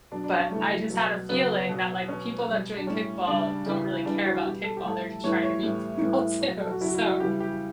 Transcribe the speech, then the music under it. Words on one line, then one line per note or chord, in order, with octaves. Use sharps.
but I just had a feeling that, like, people that join kickball don't really care about kickball, they're just trying to meet people, too, so
B2 F#3 D4
D4
C#4
C#3 E3 G3 A3
B2 F#3
C#3 F#3 B3
B2 F#3
B2 F#3 C#4
B2 G3
D4
A2 G3 C#4
C#3 G3 D4
C#3 E3 G3
C#3 E3 G3 D4
F#4
B2 G3 G4
A4
G4
A2 G3 A4
A2 E3 G3 C#5
C#5
A2 E3 G3
A2 E3 G3
B2 F#3 C#5
A4
F#4
C#3 F#3 E4 F#4
E4
F#4
C#3 E3 G3 G4
G4